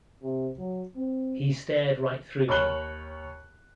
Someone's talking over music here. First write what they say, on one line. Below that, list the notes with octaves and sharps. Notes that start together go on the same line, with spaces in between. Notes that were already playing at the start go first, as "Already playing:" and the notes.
He stared right through me.
C3
F#3
C4
D#2 C#5 B5 F6 F#6 G7